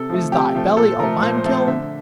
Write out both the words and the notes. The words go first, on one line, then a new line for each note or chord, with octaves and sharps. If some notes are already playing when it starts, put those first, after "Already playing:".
Is thy belly a lime-kiln?
Already playing: C3 A4
F3 A3
C3 G4
F3 A3
A#2 A4
F3 A3 A#4
A#2 C5
C5
F3 A3
C5
D3 E5